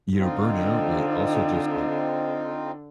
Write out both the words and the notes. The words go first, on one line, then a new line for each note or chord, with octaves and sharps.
You know, burnout, but, also just like
D3 C4 D#4 F4